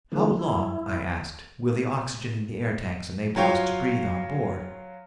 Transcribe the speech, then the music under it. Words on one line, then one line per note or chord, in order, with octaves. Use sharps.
"How long," I asked, "will the oxygen in the air tanks enable us to breathe on board?"
D3 E3 F3 G#3 A#3
E4
F#3 F4 C#5 F5 G5